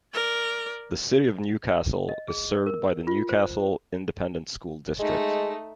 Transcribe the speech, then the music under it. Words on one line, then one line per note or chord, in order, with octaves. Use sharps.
The City of Newcastle is served by the Newcastle Independent School District.
A#4 D5
D#5
G#4
A#4
F4
C5
G#3 A3 D#4